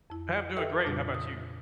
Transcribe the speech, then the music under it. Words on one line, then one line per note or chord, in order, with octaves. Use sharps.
I'm doing great. How 'bout you?
F2 E4
G4 A4 B4 D#5 E5 G5
F2 A#2 C#3 G3 D4 F4
D#6